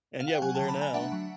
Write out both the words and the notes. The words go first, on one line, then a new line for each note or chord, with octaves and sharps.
And yeah, we're there now.
F5
F#5
G5
F#3 F#5 G#5
G5 A5
D3 A#5
A5 B5
A3 G#5 A#5
D4 E5 F#5
F#3